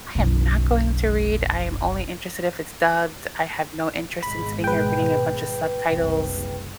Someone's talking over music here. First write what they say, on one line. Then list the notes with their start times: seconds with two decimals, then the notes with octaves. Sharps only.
"I am not going to read, I am only interested if it’s dubbed, I have no interest in sitting here reading a bunch of subtitles,"
0.15 F#1 B1
4.23 G#1 B2 G#3 B5
4.64 B4 G5
5.91 F#1 C2